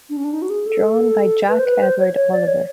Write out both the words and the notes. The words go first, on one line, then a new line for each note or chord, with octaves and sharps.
Drawn by Jack Edward Oliver.
D4
C#4
D4
D#4
F#4
G#4
A4
B4
C5
B4
C5
C#5
C#5
D5
C#5